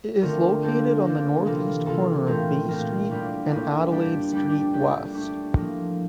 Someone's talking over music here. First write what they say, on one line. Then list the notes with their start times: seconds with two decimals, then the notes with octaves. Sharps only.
It is located on the northeast corner of Bay Street and Adelaide Street West.
0.22 D3 A3 C4 F4 A#4
0.63 A#3 D4 A4 C5
1.04 A#3 D4 A4 C5
1.45 C3 E3 A#3 F4 A4
1.86 C3 E3 A#3 F4 A4
2.27 A#2 A3 C4 F4 A#4
2.68 A#2 A3 C4 F4 A#4
3.10 A2 G3 A#3 D4 F4
3.50 A2 G3 A#3 D4 F4
3.91 G3 D4 G4
4.32 G3 D4 G4
4.73 A3 D4 G4
5.13 A3 D4 G4
5.55 A2 F3 A#3